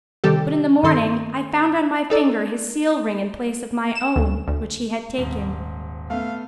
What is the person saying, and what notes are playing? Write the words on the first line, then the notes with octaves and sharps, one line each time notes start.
But in the morning, I found on my finger his seal-ring, in place of my own which he had taken.
C3 D#3 G3 G4 A4
G2 D#3 A4 C6
D#4 A4 D5
E7
D2
D2
D#1 G#2
A3 B3 F5